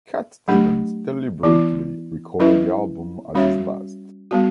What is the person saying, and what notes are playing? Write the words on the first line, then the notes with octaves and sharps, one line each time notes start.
Cat Stevens deliberately recorded the album as his last.
F#3 A3 D4 G4
E3 B3 E4
F#3 C#4 E4 B4 E5
G3 C#4 F#4 C#5 E5
G3 B3 F#4